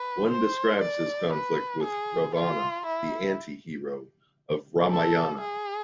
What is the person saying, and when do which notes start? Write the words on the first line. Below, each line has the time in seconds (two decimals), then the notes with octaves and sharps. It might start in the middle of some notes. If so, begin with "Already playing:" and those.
One describes his conflict with Ravana, the anti-hero of Ramayana.
Already playing: B4
0.31 C5
0.82 D5
1.33 B4
1.84 G#4
2.35 F4
2.86 E4
4.90 A4
5.41 G#4